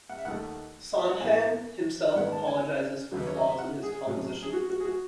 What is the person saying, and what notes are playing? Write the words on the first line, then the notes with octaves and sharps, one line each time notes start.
Sondheim himself apologizes for flaws in his composition.
F#5
E5
D#2 D#3 A3 F#5
E5
F#5
G#2 E3 G#3 G#5
G#2 D#3 G#3 B3 F#5
A5
G#5
D#2 C#3 F#3 B4
C#5
D#5
E5
F#5
G#4
A2 F#3 C#4
G#4
F#4
F#4
G#4
F#4